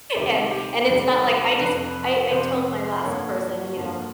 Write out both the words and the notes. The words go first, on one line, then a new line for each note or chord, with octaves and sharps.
And and it's not like, I just I I told my last person, you know,
D2 C3 D#3 G3 G4
G4
D2 C3 D#3 G3
F2 C3 F3 B4
F2 C3 F3 C5
G2 D3 F3 A#3 C#5
G2 D3 F3 A#3